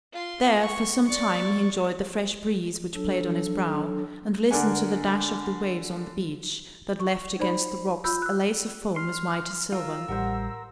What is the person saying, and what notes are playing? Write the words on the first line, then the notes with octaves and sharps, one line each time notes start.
There for some time he enjoyed the fresh breeze which played on his brow, and listened to the dash of the waves on the beach, that left against the rocks a lace of foam as white as silver.
F4 C6
C#6
D5 C#6
F#3 D4 A4
D3 A#4 D5 F#5 G#5
C#6
D#4 C5 D5 B5
F4 B5 E6 G6
E6 F#6
C6 F6
F4 A#4 E6
A1 G3 A#4 C5 F#5